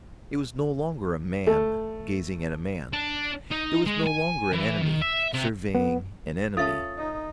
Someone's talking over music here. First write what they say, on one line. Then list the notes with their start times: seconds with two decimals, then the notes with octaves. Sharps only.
It was no longer a man gazing at a man; it was no longer an enemy surveying an enemy.
1.47 A3
2.93 D4
3.51 D#4
3.85 G#3
4.06 G#5
4.53 E3
4.83 D#3
5.02 E5
5.34 C3
5.75 B3
6.57 C#4 F4 A4 E5 A5 D#6 A6
6.98 D#4